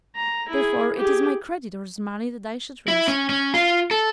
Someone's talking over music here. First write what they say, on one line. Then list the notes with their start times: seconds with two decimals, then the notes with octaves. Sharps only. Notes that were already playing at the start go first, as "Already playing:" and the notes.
Therefore, it is my creditors' money that I should risk.'
0.15 A#5
0.48 E4 G#4
0.96 G4 G#4
2.88 E4
3.08 C#4
3.29 C#4
3.54 F4
3.91 A4